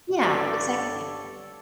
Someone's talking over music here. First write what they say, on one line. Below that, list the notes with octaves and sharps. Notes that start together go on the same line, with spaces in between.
yeah, exactly.
G2 A4 C#5 D5